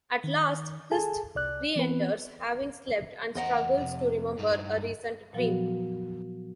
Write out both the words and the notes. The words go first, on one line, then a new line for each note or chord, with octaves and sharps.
At last, Hirst reenters, having slept, and struggles to remember a recent dream.
D#3
G#4 A4 G#5 A5
C2 D5 F#6
E3 B3 C4 B4
E2 A#4 C5 D#5 F#5
F2 C3
G2 D#4
A#2 F3 F#3 B3 F#4